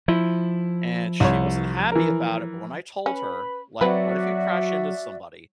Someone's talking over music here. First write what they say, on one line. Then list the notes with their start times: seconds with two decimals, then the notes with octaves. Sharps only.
and she wasn't happy about it, but when I told her like, "What if you crash into somebody,
0.08 F3 E4
1.20 C2 C#5
1.92 E3 A#4
3.06 C#4 B4 B5
3.81 F#3 C4 F#4 B4 D5 E5